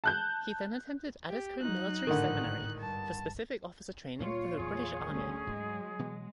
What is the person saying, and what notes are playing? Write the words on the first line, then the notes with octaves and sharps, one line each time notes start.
He then attended Addiscombe Military Seminary for specific officer training for the British Army.
A5 F#6 G6
G4
F#3 D#4 F#6
G#1 A2 D3 D#3
G2 A5
D2 A#2 G3 F4 C#5
E2 A#2 F#3 G#4
D2 G3 C#4
G#2 F#3 G#3
B2 E3 G#3 B3